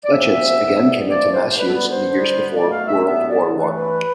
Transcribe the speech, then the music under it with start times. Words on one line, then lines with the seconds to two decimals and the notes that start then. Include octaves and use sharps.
Flechettes again came into mass use in the years before World War One.
0.04 D5
0.11 D2 C3 F3 B3 E5
0.59 C2 B2 G3 B3
1.08 G2 F3 A3 D5
1.33 C5
1.49 C5
1.57 G2 D3 G3 B3 B4
1.68 A4
1.74 B4
1.90 C5
2.06 D2 D3 G3 B3
2.55 B2 A3 D5
2.71 F5
2.87 E5
3.03 A2 G3 B3 E5
3.29 D5
3.53 G2 E3 A3
3.77 B4